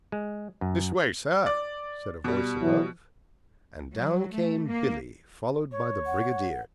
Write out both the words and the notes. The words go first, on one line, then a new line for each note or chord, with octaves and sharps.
"This way, sir," said a voice above, and down came Billy, followed by the Brigadier.
G#3
F#2
D5
B2 G3
E3 F#3 E4
F#3
A3
A#3
C#5
F#5